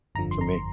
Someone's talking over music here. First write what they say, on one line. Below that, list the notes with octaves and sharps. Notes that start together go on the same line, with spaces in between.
for me.
G1 F2 D3 F3 A#5
C6
A#5